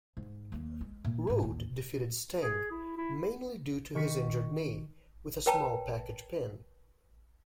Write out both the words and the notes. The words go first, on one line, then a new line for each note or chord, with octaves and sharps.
Rude defeated Sting, mainly due to his injured knee, with a small package pin.
G#2
D#2 A#3
G#3
A#2
C#2 G#2
A1 D#2
G#4
E4
E4
D#3 C#6 B6
A#4 B4 C#5 G5 A5 A#5